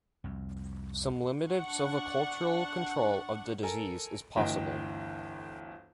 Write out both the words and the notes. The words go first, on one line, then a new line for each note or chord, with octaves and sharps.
Some limited silvicultural control of the disease is possible.
C2 F2
D4 F#5 C#6
A4 A#4 G#5
G1 D2 E3 D#5 G5